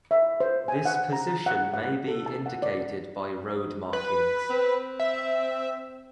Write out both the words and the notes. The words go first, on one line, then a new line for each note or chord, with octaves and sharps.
This position may be indicated by road markings.
E5
C5
G#5
F#5
A#5
F#5
F#5
A4
A5
F#5
D5
B4
C4
E5